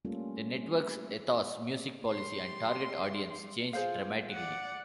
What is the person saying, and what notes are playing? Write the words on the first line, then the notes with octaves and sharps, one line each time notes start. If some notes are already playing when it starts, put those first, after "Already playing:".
The network's ethos, music policy and target audience changed dramatically.
G3 A3 A#3 C#4 F4 A4
G4 C6
F4 G#4 C5 F5
D5 F#5